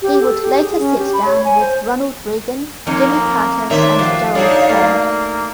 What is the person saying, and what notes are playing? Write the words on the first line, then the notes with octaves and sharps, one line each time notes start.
He would later sit down with Ronald Reagan, Jimmy Carter, and Gerald Ford.
G4
A4
G4
G#4
C#4
G4
B5
C#5
G#5
C5
F2 A#3 D#4 C#5
D#3 A3 D4 C5 C#5 E5
F3 F#4 G4 F5
D4 D#4 F#4 A4 C#5
A3 A#3 F#4